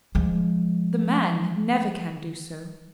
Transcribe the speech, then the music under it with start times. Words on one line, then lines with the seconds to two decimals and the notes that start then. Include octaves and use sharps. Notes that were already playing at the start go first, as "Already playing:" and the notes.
The man never can do so.
0.15 F3 G#3